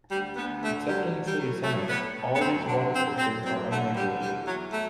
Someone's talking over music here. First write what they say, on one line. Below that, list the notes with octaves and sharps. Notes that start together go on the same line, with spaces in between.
Except in the city centre, all these watercourses are unregulated.
D2 G3
D2 B3
D3 A3
F#3 G3
A2
G3
F#3
A2 A3
A2 B3
A2
B3
F#2 C4
D3 D4
F#2 C4
F#2 C4
F#3 C4
D3 A3
D3 G3
E2 G3
E2 F#3
F#3 A3